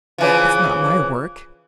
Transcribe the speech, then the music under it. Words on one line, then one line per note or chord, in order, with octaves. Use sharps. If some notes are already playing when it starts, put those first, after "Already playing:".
It's not my work.
C#3 E3 F3